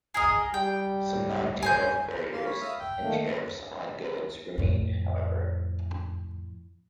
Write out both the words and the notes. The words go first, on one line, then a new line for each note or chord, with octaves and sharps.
Some non-tariff barriers and tariffs on goods remain, however.
G#4 A#4 D#5
G3 G5
G#5 C6 G6
A#3 F5 C6
C#5 B5
E5 F5 D#6
G5
D#3 A3 A#3
F2 A2